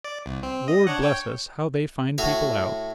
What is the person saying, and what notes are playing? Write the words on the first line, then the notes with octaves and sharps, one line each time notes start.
Lord bless us, how they find people out!
D5
C2
C4
D#5
D4 C#5 F#5
C#5 G5
A2 F#4 C#5